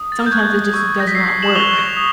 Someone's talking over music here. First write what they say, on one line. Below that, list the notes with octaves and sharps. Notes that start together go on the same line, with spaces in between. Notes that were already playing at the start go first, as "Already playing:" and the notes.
sometimes it just does not work.
Already playing: D#6
A6
G6
C#6 F#6 G#6
C#6 E6 G6
A#6
B6
C#6 E6 G6 C7
C7
E7 F#7
C#6 F#6 F7 G7
D#6